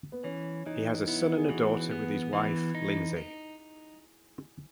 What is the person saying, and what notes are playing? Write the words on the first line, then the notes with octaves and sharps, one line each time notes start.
He has a son and a daughter with his wife, Lindsay.
B3
E3 C#4
E3 D#4
B3 E4
G#4
E3 F#4
B3 G#4
E3
D#4
D#4